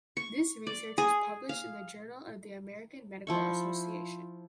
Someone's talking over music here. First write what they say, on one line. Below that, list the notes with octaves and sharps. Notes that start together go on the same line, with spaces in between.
This research was published in the Journal of the American Medical Association.
C#6
D5
G#4
F5
F3 E4 C#6